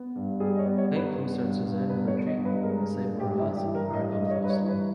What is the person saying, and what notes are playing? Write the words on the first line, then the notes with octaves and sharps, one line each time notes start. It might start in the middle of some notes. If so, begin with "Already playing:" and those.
The play co-starred Suzanne Bertish, Esai Morales and Arnold Vosloo.
Already playing: B3
G2
G3 G#4
D#5
C#5
B3
C#5
G2
B4
B3
G2
G2
B3 B4
C#5
B3
D#5
G2
B4
G#3 A#4
A#4
G2
G2
G4
G2 E4
G4
E3
A#4
G2
D#5
G2 D#5
D#5
C#5
G2
B4
C#5
E3
B4